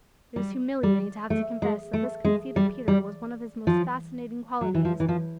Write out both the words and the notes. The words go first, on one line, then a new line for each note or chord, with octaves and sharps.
It is humiliating to have to confess that this conceit of Peter was one of his most fascinating qualities.
G3
G3
A3
G#3
A3
G#3
G3
G3
F3
F#3
E3
F3
E3
F3